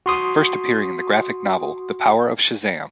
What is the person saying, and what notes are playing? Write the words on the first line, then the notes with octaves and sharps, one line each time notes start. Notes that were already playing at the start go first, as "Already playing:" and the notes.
First appearing in the graphic novel The Power of Shazam!
F#4 C6 D#6